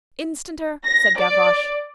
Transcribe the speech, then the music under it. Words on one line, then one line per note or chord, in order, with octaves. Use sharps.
"Instanter," said Gavroche.
A#6
D5